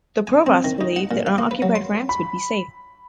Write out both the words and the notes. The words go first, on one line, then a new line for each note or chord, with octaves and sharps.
The Provosts believed that unoccupied France would be safe.
G#5
C4
D#3
D#4
F#5
A#2
F5
A#3
B4
F#3
C6
B5